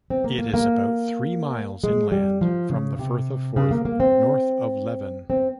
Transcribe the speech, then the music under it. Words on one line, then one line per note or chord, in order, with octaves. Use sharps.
It is about three miles inland from the Firth of Forth, north of Leven.
C4
A#3
A#3
A#3
G#3
G3
F3
C#3
C3
C#3
A#3
A#3
C4
C4